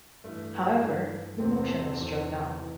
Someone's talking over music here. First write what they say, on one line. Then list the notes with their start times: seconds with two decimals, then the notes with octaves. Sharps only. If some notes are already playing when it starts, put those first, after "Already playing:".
However, the motion was struck down.
0.24 G2 E3 A3
0.81 G2 E3
1.39 E2 C3 E3 C4
1.68 A4
1.97 E2 C3 E3
2.59 E3